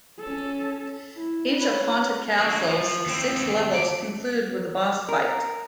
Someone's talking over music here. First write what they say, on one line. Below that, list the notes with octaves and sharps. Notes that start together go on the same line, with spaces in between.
Each of "Haunted Castle"'s six levels conclude with a boss fight.
C#4 A4
E4
B4 C#5
F#3 A#3
F3
D#2 C4
D2 D5
A#4